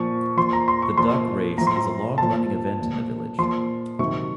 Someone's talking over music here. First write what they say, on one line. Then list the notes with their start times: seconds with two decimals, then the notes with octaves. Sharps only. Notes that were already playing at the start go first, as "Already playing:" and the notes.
The Duck Race is a long-running event in the village.
Already playing: A#2 F3 C#6
0.37 A#2 F3 C6
0.53 A#5
0.68 C6
0.82 C#6
0.98 A#2 F3 C6
1.58 A2 F3 A#5
1.67 C6
1.76 A#5
2.18 A#2 F3 A5
2.79 A#2 F3
3.38 A#2 F3 C6
3.99 C3 D#3 F#3 C#6